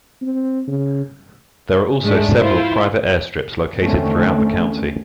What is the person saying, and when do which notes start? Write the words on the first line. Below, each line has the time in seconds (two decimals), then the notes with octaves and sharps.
There are also several private airstrips located throughout the county.
0.22 C4
0.68 C#3
2.02 G#2 G#3 A3 D4
2.38 E4 F4 C5
3.83 E2 D3 D#3 A3 C4 C#4